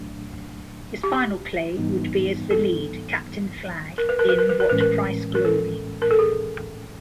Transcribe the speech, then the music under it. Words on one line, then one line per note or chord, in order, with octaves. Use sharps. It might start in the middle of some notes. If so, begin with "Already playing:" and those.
His final play would be as the lead, Captain Flagg, in What Price Glory?
Already playing: C2 A#2 F#3 A3 D4
G4
G#2 E3 G3 B3 D#4
A4
A#4
B4
A#4
B4
A#4
B4
A#4
A2 E3 G#3 C#4 B4
A#4
A#4
A4
A#4
A4
G#4